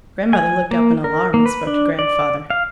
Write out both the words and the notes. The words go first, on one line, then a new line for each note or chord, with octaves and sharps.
Grandmother looked up in alarm and spoke to grandfather.
G#5
A#3
A#4
A#3
B4
D4
D5
F5